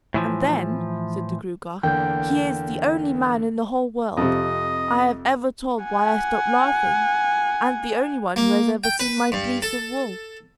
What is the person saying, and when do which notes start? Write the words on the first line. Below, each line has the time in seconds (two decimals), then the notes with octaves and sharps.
"And then," said the Gruagach, "he is the only man in the whole world I have ever told why I stopped laughing, and the only one who has ever seen my fleece of wool."
0.14 A2 E3 F3
1.83 E2 D3 A#3 G5 G6
4.17 F2 C3 D#5
5.84 F#5 G#5
8.36 A#3
8.84 G5
9.00 B4
9.32 G2
9.62 A4